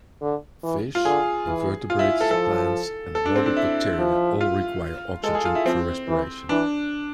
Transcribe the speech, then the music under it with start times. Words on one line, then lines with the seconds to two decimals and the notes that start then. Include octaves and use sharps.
Fish, invertebrates, plants, and aerobic bacteria all require oxygen for respiration.
0.21 D3
0.64 E3
0.95 F4
1.05 D3 G#4
1.47 E3
1.90 F4
1.99 E4
2.21 A4
2.31 F3 A4
3.15 A4
3.26 D4
3.36 C4
3.46 D4
3.57 E4
3.99 F3
4.41 F4
5.24 G#3 A4
5.35 G#4
5.45 F4
5.55 E4
5.66 F3 C4
6.08 E3
6.49 E3 D4